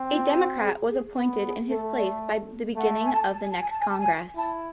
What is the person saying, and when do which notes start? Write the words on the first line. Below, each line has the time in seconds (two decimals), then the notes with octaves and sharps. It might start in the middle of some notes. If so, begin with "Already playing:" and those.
A Democrat was appointed in his place by the beginning of the next Congress.
Already playing: C4
0.10 F4
0.31 G4
0.37 F#4
0.63 G#4
0.90 G#4
1.16 B3
1.44 G#4
1.70 A3 A4
1.97 D5
2.76 A3 F#5
3.04 G#5
3.12 A5
3.22 G#5
3.31 A5
3.41 G#5
3.51 A5
3.60 G#5
3.70 A5
3.79 G#5
3.90 A5
3.98 G#5
4.36 E4 A5